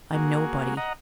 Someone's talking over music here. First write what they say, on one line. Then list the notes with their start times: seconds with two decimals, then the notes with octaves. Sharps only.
I'm nobody.
0.14 A#3 F#4 G#4
0.77 D#5 F#5 A#5